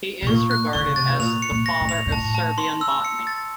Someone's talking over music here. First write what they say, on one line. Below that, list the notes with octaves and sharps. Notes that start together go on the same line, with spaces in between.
He is regarded as "the father of Serbian botany".
B2
A#2 C#6
F#6
D3 C#6
C#3
C3 A6
B2
A#2 F7
C#7
A#2
A#6
A2
F7
A#2
A2 A5
A5
C6
E6
C#7
A6